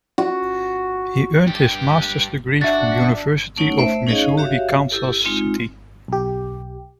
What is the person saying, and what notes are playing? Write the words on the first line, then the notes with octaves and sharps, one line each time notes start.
He earned his master's degree from University of Missouri-Kansas City.
F#4
G2 G4
D4 F#4 E5 A6
A3 C#4 D#4 C#5 F#5
A3 C5 E5
C#4 D#4 G#4 C#5 D#5 F5
F#4 G4 C#5 E5 F5
E4 G4 A4
G#3 C4 D#4 F4
B1 G4